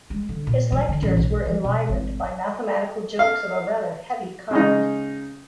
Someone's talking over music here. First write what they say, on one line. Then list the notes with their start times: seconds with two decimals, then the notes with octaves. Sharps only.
His lectures were enlivened by mathematical jokes of a rather heavy kind.
0.10 G#3
0.29 D3
0.47 A#2
0.72 F#3
0.89 D3
1.02 A1
1.17 B1
1.46 F3
1.64 B2
1.89 G#1
3.19 F5
4.51 C#3 G#3 D#4